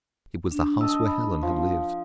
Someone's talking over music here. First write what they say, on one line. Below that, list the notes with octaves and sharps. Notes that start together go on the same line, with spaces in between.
It was the house where Helen had lived.
D4
D#5 A5 E6
B5
F3